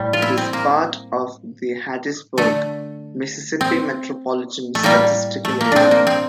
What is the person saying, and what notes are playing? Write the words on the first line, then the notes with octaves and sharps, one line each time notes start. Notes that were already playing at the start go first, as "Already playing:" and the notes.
It is part of the Hattiesburg, Mississippi Metropolitan Statistical Area.
Already playing: A2 G3
F4
E4
C4
A#3
D3 A3
C4
A3
A2 G3 A#3
A3
A#3
C4 D4
A#3
C4